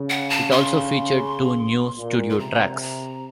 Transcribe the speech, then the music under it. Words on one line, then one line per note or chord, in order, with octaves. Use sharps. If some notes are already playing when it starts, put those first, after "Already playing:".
It also featured two new studio tracks.
Already playing: C#3
F#5
A5
C6
A#2
C6
C3 A#5
A#5